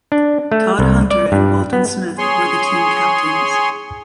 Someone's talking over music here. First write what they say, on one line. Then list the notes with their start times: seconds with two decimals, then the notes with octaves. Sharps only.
Todd Hunter and Walton Smith were the team captains.
0.12 D4
0.52 A3
0.79 C2
1.11 D5
1.32 G2
1.73 B3
2.18 G#4 C#5 G#5 C6